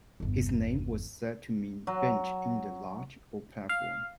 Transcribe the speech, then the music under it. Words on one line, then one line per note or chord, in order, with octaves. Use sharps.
His name was said to mean "bench in the lodge or platform".
G1 E2
F#3
F5